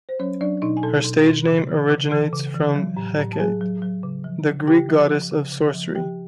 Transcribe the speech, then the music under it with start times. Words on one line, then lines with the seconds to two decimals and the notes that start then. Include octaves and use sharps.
Her stage name originates from Hecate, the Greek goddess of sorcery.
0.09 C5
0.19 F#3 C#4 C#5
0.41 F#3 D4 D5
0.62 B2 D#4 D#5
0.77 G#5
0.83 B2 A4 A5
1.05 B2
1.26 B2
1.47 C#3
1.69 E3
1.90 C#3
2.11 E3 A4 A5
2.33 C#3
2.54 E3
2.75 F#3
2.97 A2
3.18 A2
3.33 A5
3.39 F#3 G#4 G#5
3.61 F#3
3.82 F#3
4.03 C#3
4.24 F3
4.46 C#3
4.67 C#3 G4 G5
4.89 F3
5.10 F3
5.31 C#3
5.52 C#3
5.74 F3
5.95 F3 G4 G5